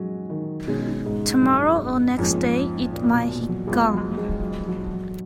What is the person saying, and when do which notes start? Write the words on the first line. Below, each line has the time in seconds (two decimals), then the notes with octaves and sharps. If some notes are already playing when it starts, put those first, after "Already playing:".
Tomorrow or next day it might he gone.
Already playing: F#3 G#3 C#4
0.30 D#3
0.67 B2 D#3 G#3 C#4
1.06 G#2
1.42 F#2
2.18 F2 G#2 F3 A#3 C#4 G#4
2.92 A#2
3.03 A#2
3.12 B2
3.31 B2
3.48 F#3
3.67 F2 F3 G#3 B3 F4
3.93 F#3
4.17 G#3
4.42 F#3
4.67 F#3
4.92 F#3